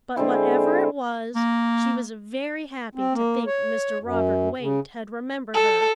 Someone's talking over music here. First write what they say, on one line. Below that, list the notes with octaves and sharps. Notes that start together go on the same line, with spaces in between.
But whatever it was she was very happy to think Mr. Robert Waite had remembered her.
D3 G#3 C4 E4
A#3
C4
A#3
C#5
F#2
C#3
A4